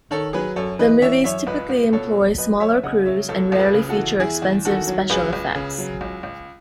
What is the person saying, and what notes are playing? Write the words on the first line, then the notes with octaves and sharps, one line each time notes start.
The movies typically employ smaller crews, and rarely feature expensive special effects.
D#3 A4 C#5
F#3 G#4 B4
F#2 A4 C#5
E3 B4 D#5
E3 C#5 E5
F#2 C#5 E5
C#2 B4 D#5
C#2
B2 A4 C#5
F#3
F#2 B4 D#5
F#2 C#5 E5
C#3 D#5 F#5
F#3 C#5 E5
C#2 A4 C#5
C#2 A4
G#4 B4
C#3
F#4 A4
E3
E2 E4 G#4
E2
D#3 F#4 A4
F#3
C#2 G#4 B4
C#2
C#3
F#3
C#2
C#2